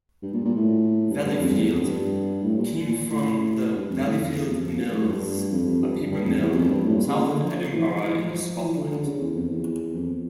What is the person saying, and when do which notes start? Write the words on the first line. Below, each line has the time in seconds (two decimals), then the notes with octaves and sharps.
"Valleyfield" came from the Valleyfield Mills, a paper mill south of Edinburgh in Scotland.
0.22 G2
0.33 A#2
0.45 A#2
0.55 A2
1.11 G2
1.25 G2
1.40 F2
1.55 E2
1.69 F2
1.84 G2
2.43 A2
2.58 A#2
2.87 A#2
3.09 A2
3.76 G2
3.90 F2
4.05 A2
4.20 F2
4.35 E2
4.49 F2
4.64 F2
4.79 G2
4.94 A2
5.08 G2
5.52 F2
5.67 F2
5.82 G2
6.11 G2
6.26 F2
6.40 E2
6.55 F2
6.70 G2
6.85 A2
6.96 A#2
7.07 C#3
7.17 A#2
7.28 D3
7.43 F3
7.58 F3
7.73 E3
7.88 F3
8.03 E3
8.18 F3
8.62 E3
8.77 D3
8.91 D3
9.05 C#3
9.20 E2
9.35 F2
9.50 E2
9.94 F2